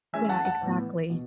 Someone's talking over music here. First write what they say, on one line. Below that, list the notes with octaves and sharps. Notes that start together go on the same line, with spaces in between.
Yeah. Exactly.
E3 G#3 C#4 E5 G#5
F#5 A5
F#5 A5
A2 E3 B3
B2